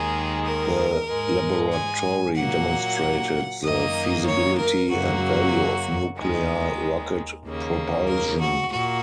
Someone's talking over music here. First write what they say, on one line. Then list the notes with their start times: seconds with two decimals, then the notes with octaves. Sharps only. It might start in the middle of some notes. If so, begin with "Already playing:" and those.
The laboratory demonstrated the feasibility and value of nuclear rocket propulsion.
Already playing: D#2 D#3 G#3 G#4
0.45 A#4
1.09 G#2 G#3
1.72 G#5
2.35 A#2 F#3 A#3 F#5
3.63 F#2 D#3 A#3 D#5
4.26 C#5
4.58 A#4
4.90 F#2 C#3 F#3 A#3 F#4
6.18 D#2 D#3 G#3
7.45 D#2 C#3 A#3
8.08 A#4
8.40 F#4
8.71 A#2 A#3 F#4